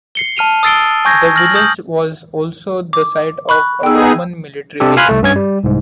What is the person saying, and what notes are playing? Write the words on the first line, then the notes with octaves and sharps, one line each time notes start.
The village was also the site of a Roman military base.
C7 C#7 G7
A5 F6 D#7 F7
D#6 E6 A6 C7 D7 G7
G#5 C#6 G6 G#6 A#6
F6 A#6 F#7
D#6 G6 F#7
D6
B5 C#6 F#6
B3 D#4 G#4 G5 E6
C3 D4 G4 A4
F5 G#5 B5 C6 F6 F#6
C2 A3
G2 C#4 G#6
G3
C2 G#2